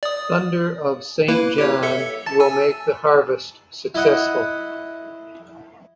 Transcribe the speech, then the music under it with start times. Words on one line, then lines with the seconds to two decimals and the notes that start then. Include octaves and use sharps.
Thunder of Saint John, will make the harvest successful.
0.03 D5 D#6
1.28 A#3 E4 B4
1.58 G4 C#5
1.83 A4 E5 C#7
2.26 A5 A6
2.40 G#5 E6
3.95 E4 D#5 F#5